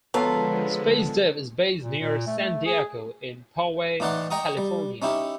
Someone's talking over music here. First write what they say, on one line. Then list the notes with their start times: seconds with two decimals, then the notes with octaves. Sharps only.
SpaceDev is based near San Diego in Poway, California.
0.14 D3 F3 F#3 G#3 B3 F4 A4
1.81 A#2
1.99 A#2
2.27 A3
2.39 A3
2.66 G#4
4.00 A2 E3 D#4 D5 F#5 C6
4.30 D#5 G5 A#5 C#6 D#6
4.57 G3
5.02 C#4 D#4 E4 G4